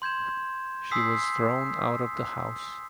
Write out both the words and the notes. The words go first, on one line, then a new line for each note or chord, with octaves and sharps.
She was thrown out of the house.
C6 G6 G#6 E7
G#5 C6 D#6 E6 B6 C7